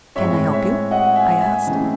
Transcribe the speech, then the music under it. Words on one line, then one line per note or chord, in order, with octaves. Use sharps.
"Can I help you?" I asked.
A2 G#3 C4 C#5 E5
C#5 E5
D#5 F#5
E5 G#5
E5 G#5
C#3 E3 A3 C4